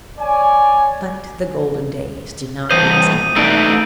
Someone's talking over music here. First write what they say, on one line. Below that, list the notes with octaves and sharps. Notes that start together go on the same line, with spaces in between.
But the golden days did not last long.
C#5 D5 G#5
G2 E3 C5 D#6 G6 D#7
A3 D#4 D5 E6 D7